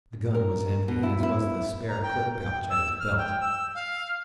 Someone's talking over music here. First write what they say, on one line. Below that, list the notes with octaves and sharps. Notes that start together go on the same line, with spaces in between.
The gun was empty, as was the spare clip pouch at his belt.
A#4
B2
E4
E4
A#5
G5
G5
E6
F6
G5
E6
F5